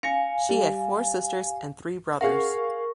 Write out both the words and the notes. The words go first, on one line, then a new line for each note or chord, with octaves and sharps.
She had four sisters and three brothers.
F5 G#5 A#6 C#7
G3
G#4 A#4 F5 F#5 C#6